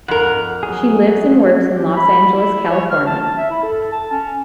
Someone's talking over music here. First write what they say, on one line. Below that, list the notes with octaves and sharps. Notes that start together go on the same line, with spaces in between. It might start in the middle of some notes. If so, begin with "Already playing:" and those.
She lives and works in Los Angeles, California.
F2 A#4 F#5
F#3 G#4
G4
B5
E4
C#5
F6
A5
A5
E5
E4
A4
A5
C#4